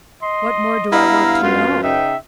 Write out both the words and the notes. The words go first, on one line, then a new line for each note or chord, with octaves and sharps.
"What more do I want to know?"
D#5 C6
G2 B3 E4 F5 A#5
F#2 F4 B4
C#3 D#4 E5 G5